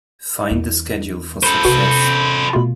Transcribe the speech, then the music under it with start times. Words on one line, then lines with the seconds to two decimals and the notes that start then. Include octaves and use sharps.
Find the schedule for Success.
0.51 E2
1.43 A4 C5 B5
1.65 C3 F#4 B4
2.53 B2 A3 F4